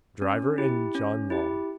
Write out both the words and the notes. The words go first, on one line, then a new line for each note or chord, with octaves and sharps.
Driver in John Long's.
C#4
E4 G4
C#4
E4 G4